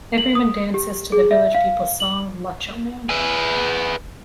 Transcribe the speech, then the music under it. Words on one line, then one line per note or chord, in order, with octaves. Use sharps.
Everyone dances to the Village People's song "Macho Man".
F#7
D#6
G4
G#4
E5
F5
F#7
G#4 B4